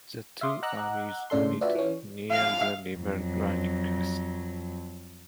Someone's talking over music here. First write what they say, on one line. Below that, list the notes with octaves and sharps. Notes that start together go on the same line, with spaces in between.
The two armies met near the river Granicus.
E5 F5 C6 D6 D#6
D#5 F#5 A#5 D6 E6 F#6
A2 C#3 D4 A4 C6
D4 F4 F#4 B4 E5
E3 C#4
F5
F2 F#3